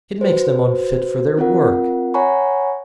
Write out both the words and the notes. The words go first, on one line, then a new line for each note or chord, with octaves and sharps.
It makes them unfit for their work.
F#4 B4 C5
C4 F4 A#4 F#5
C#5 F#5 G#5 A#5 B5 C#6